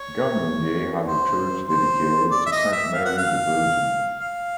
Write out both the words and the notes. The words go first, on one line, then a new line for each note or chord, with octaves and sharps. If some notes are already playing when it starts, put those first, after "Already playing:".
Gamlingay has a church dedicated to Saint Mary the Virgin.
Already playing: C#5
C5
C5
D5
E5
D#5
E5
F5
F#5
F5
F5